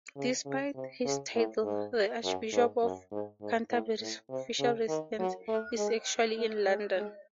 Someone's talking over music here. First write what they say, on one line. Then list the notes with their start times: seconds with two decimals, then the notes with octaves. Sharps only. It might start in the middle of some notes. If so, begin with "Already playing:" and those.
Despite his title, the Archbishop of Canterbury's official residence is actually in London.
0.17 C#3
0.46 C#3
0.75 C3
1.05 C#3
1.35 A2
1.64 G#2
2.24 F#2
2.53 G#2
2.83 F#2
3.12 G#2
3.41 G#2
3.71 A2
4.01 A2
4.30 C3
4.59 C#3
4.89 D#3
5.19 F#3
5.48 A3
5.77 G#3
6.36 A3
6.66 G#3
6.96 G#3